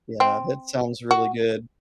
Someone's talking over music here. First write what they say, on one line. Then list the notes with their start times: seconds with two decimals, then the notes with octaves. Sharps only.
Yeah, that sounds really good.
0.20 C4
1.11 F#4